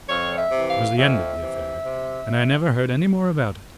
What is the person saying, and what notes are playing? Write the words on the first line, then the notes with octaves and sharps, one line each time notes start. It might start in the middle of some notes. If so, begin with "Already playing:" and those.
It was the end of the affair, and I never heard any more about it.
F2 C#5
E5
C3 E3
F5
F2 E5
C3 E3
C3